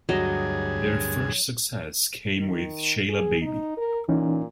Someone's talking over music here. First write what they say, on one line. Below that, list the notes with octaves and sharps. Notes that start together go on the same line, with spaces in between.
Their first success came with "Sheila Baby".
D2 G2 F#3 G#4 D#5
D#3
G#4
D#4
A#4
A#2 E3 C#4 D#4